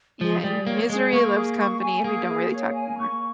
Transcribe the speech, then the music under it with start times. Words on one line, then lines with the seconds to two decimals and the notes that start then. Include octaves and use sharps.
yeah, and misery loves company and we don't really talk anymore.
0.21 F3 G#4
0.43 G3 G#4
0.66 A#3 C#5
0.90 G#3 G#4
1.13 A#3 C#6
1.35 G#4
1.59 C#6
1.82 G#5
2.04 A#3 G#4
2.28 G#4
2.51 C#5
2.74 G#5
2.98 C#6